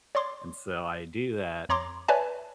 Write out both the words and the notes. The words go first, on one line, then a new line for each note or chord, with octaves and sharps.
and so, I do that.
C#5 D5 C6 D6
F2 C#5 A#5 C6 D6
B4 C#5 D5 E5 G#5 A5